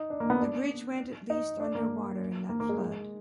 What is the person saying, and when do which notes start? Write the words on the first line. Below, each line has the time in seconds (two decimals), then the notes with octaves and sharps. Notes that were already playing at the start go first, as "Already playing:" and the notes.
The bridge went at least under water in that flood.
Already playing: D#4
0.10 D4
0.20 A#3
0.30 B3
0.40 D4
1.30 D#4
1.60 D4
1.75 A#3
2.49 A#3
2.60 A#3
2.69 G#3
2.80 G#3